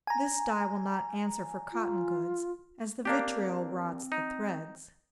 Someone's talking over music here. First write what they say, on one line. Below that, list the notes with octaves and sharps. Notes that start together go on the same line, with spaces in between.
This dye will not answer for cotton goods, as the vitriol rots the threads.
G#5 A#5
F4
A#3 C4 D4 G4
D#4